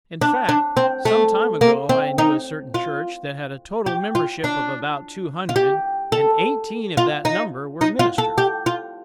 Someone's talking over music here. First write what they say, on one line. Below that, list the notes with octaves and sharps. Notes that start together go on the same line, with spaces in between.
In fact, some time ago I knew a certain church that had a total membership of about two hundred, and eighteen of that number were ministers.
D4
D4
C4
A3
A#3
C4
D#4
F4
G4
F4
D4
F4
G4
A4
F4
D#4
D#4
F4
A4
G4
F4